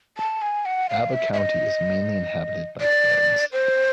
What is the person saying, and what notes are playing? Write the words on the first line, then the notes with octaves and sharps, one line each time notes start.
Aba County is mainly inhabited by Tibetans.
A5
G#5
F#5
F5
E5
E5
D#5
D5
C5